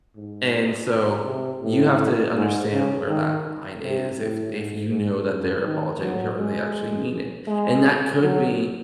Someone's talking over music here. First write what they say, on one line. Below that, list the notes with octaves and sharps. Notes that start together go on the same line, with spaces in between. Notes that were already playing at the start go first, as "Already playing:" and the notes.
and so, you have to understand where that line is, if if you know that they're apologizing to you they actually mean it, and that could be,
G#2
C3
A2
G#2
C#3
D#3
C3
A2
G#2
G#2
F#2
D#3
F#3
G#3
G#3
F#3